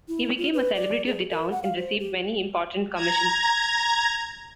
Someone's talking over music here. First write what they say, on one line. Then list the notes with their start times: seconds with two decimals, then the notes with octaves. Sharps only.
He became a celebrity of the town, and received many important commissions.
0.08 E4
0.37 F4
0.54 B4
0.75 D5
1.06 G#4
1.30 A#4
1.51 F#5
1.63 F5
1.78 C5
2.00 G4
2.94 A#5 G#6